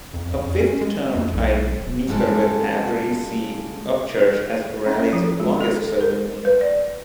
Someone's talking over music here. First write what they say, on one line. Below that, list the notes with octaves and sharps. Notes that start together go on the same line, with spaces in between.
A fifth term tied Meeker with Avery C. Upchurch as Raleigh's longest-serving mayor.
F2
F2
C#4
G#3
F2
B1
D1
C#3 G3 G#3 E4 A4
C#4
F3
G#3
A4
A#4
B4
D5